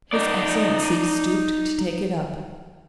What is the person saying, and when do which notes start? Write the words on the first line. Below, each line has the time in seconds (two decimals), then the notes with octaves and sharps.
His Excellency stooped to take it up.
0.13 D#4 D5